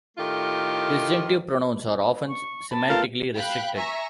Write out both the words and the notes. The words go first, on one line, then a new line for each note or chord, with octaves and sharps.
Disjunctive pronouns are often semantically restricted.
A2 D#3 A3 F4 G4
C#6
A5 B5
A3 B3 F4 A#4
F5 G5 B5 F#6
E5 G#5 A#5 C#6